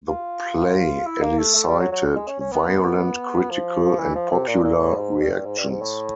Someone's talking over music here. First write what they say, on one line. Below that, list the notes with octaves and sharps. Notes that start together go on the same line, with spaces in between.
The play elicited violent critical and popular reactions.
F4
E4
A#3
A3
A3
G3
F#3
F#3
G#3
C#4
C#4
B3
F3
E3
F3
C3
A#2
A#2
A2
G#2
G2
G#2
G2
G#2
A2